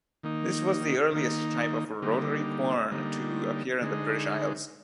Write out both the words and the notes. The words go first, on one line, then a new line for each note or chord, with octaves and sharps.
This was the earliest type of rotary quern to appear in the British Isles.
D#3 A#3 D#4
D#3 A#3 D#4
D3 G3 A#3 D#4
D3 G3 A#3 D#4
D3 G#3 D#4